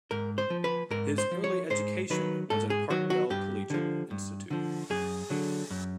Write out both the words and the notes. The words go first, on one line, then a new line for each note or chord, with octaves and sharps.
His early education was at Parkdale Collegiate Institute.
G#2 A#4
C5
F3
B4
G#2 A#4
C5
F3
C#5
G#2 C5
D#3 F#3 B4
G#2 A4
G#4
D#3 F#3 F#4
F#4
G2 G4
D3 F3
G2
D3 F3
F#2 G#4
D3 F#3
F#2